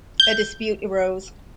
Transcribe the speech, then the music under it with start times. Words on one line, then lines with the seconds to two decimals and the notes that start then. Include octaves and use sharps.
A dispute arose.
0.20 G6